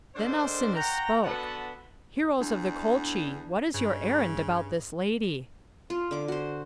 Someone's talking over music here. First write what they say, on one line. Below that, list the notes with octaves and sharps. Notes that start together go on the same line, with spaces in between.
Then Alcinous spoke: "Heroes of the Colchi, what is your errand about this lady?"
G#2 D#3 D4 A4 C5
C#5 F#5 G5 A#5
D3 B3 F#4 B4 F#5 A5
E2 D4
G2 C#3
F4
D3 D6
F#4 C5